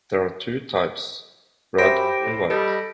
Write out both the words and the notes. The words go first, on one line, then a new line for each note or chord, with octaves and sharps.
There are two types: red and white.
F#2 G4 C5 E5 B5 A#6 D7
A2
G3 A4 D#5